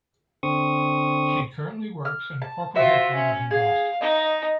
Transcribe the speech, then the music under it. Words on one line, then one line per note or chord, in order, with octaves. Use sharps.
She currently works in the corporate headquarters in Boston.
D3 C4 C#6 D#6
F6
A5
F4 F#4 C5 E5
C#4
G#4 F5
D#4 D#5